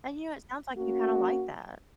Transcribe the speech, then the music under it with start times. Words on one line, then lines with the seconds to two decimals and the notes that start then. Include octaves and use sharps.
And, you know, it sounds like you kinda like that.
0.77 A#3 C#4 F#4